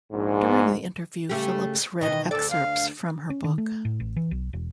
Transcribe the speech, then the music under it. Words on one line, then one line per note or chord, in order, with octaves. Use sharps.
During the interview, Phillips read excerpts from her book.
A#1 G#2
C#3 A3 G4
B2 D#3 E3 D#5
D2 A4 D5
F5
C#4
D#3
A3
A2
A1
E3
B1
E1